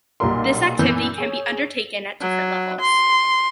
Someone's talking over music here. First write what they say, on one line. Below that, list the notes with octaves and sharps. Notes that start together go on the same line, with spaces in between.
This activity can be undertaken at different levels.
B1 A#2 G3 F4 A#4 C6
F#2 A#2 E3 B3 E6 G6
G#4 C#5
F#3
C6